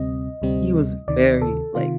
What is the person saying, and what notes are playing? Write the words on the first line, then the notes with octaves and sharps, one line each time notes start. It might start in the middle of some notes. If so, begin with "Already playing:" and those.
he was very, like,
Already playing: D2 C3 G3 C4 D#5
D2 C3 G3 C4
D2 C3 D#3 D5
A4
C3 D#3 F4